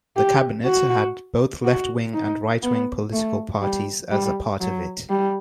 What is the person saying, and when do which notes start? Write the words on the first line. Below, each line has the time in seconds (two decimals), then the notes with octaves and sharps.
The cabinet had both left-wing and right-wing political parties as a part of it.
0.17 G4
0.66 F#4
1.65 F#4
2.14 D#4
2.63 B3
3.13 A3
3.62 G3
4.11 G3
4.61 F#3
5.10 G3